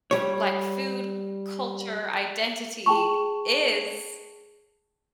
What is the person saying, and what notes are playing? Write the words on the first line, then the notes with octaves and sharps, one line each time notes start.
T Like, food, culture, identity is
G3 C#5
G#4 G5 A5 C#6